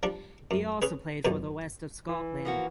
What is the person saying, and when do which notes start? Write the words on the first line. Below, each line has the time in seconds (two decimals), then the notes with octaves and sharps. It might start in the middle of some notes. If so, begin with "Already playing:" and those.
He also played for West of Scotland.
0.03 F3 G3 D4
0.51 F#2
0.82 C#4 G#4 B4
1.25 C#2 F#2 B2 D3 C#6
2.09 E3
2.45 F3 A#3 F#4